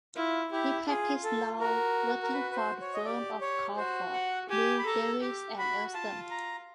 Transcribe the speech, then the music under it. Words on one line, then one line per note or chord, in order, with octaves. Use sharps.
He practised law, working for the firm of Crawford, Mill Davies and Elston.
E4 F4
E4 G4
F4 G#4
A4
F#4 A#4
A#4
B4
B4
C5
C#5
D#5
G4 D5
C#5
F#4 C5
F#5
G4 G#5
B5
A4 A#5
G4
F#4 B5
F4 A5
A#5